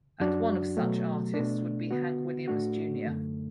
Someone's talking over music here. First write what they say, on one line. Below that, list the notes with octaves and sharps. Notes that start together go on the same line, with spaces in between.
And one of such artists would be Hank Williams Jr.
F#2 F#3 D4 F#4
B2 F#3 A3
B2 A3 D4
D3 B3 F#4
A2 A3 D4 F#4
F#2 D3 A3